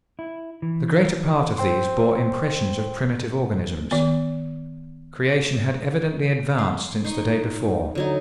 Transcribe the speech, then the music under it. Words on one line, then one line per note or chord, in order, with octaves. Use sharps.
The greater part of these bore impressions of primitive organisms. Creation had evidently advanced since the day before.
E4
E3
C5 G5 C6
D#3 B3
C6
D#4 C6 C#6
D3 F#3 D#4